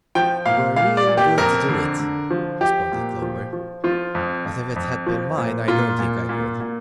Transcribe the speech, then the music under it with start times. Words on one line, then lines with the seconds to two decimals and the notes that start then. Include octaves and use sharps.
"You were real good to do it," responded Clover; "but if it had been mine I don't think I could."
0.15 F3 G5
0.46 A#2 F5
0.76 A#2 F5
0.97 D5
1.08 A#2
1.17 G4
1.38 F2 A#4
1.69 D3
1.99 D3
2.31 F3
2.61 F3 G4
2.92 A#2
3.22 F3
3.53 F3
3.84 F3 F4
4.15 F2
4.46 F2
4.76 F2
5.07 F3
5.38 A#2
5.68 A#2 F4
5.99 A#2
6.29 A#2
6.60 A#2